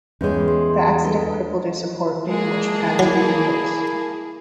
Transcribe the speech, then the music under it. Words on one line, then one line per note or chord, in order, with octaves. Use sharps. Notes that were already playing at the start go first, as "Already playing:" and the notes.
The accident crippled a support beam, which had to be replaced.
E2 G#3 C#4 B4 C#5
C6
D4 A4 B4
D#5
G#3 A#3 G#4 A5
F#3 E4